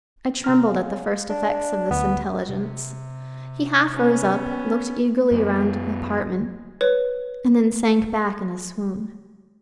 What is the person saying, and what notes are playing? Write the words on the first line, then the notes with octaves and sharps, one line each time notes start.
I trembled at the first effects of this intelligence: he half rose up, looked eagerly round the apartment, and then sank back in a swoon.
C3 A#5 F6
C#4 F5
D4
D2 B3
C3
B3 C#4
F#2 B3
B4 C#5